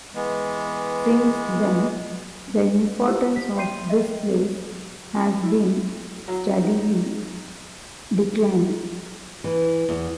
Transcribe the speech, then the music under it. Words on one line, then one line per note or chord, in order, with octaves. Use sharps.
Since then, the importance of this place has been steadily declining.
E3 G#3 B3
E4 F4 G4 C5 E6
B6
E5 G5 C6 G6 C7 D#7
D#5 E5
E4
F#3
D#4
E3
E2